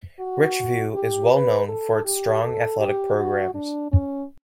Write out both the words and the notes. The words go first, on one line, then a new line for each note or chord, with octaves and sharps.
Richview is well known for its strong athletic programs.
F#4
G4
B4
A4
G4
A4
G4
F#4
D4
C#4